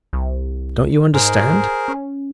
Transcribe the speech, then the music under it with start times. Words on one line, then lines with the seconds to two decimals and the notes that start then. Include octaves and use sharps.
Don't you understand?
0.13 C2
1.14 G#2 G#4 A#4 C5
1.88 C#4